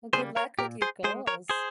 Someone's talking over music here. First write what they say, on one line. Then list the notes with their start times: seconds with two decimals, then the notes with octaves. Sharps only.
Well, good luck with your goals.
0.13 C#3 G3 A#3 G#4 C5
0.36 A#4 C#5
0.59 A#2 G4 A#4
0.82 G#4 C5
1.04 G#3 G#4 C5
1.27 A#4 C#5
1.50 G#4 C5